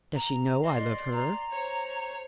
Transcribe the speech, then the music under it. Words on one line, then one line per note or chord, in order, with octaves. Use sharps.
Does she know I love her?
A#5
D5 D#5 C6
A#5
C5 C#5